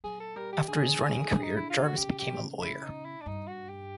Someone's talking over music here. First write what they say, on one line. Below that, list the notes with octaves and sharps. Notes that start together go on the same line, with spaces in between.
After his running career, Jarvis became a lawyer.
F#3 G#4
A4
G3 A#4
G4
D3 G#4
D#3
D3
D#4
E4
F4
F#4
C#3 G4
G4
E4
D#4
E4
D4
G2 D#4
F#4
G4